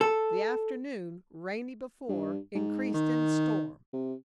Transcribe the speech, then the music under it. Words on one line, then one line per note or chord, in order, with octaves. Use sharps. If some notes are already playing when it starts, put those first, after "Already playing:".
The afternoon, rainy before, increased in storm.
A4
G2
G#2
D#3
C3